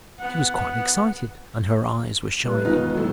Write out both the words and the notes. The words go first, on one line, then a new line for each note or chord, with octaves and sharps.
She was quite excited, and her eyes were shining.
B3 F#5
F1 G3 B4
E1 B2 D#3 D#4 F4
A2 F#3 A4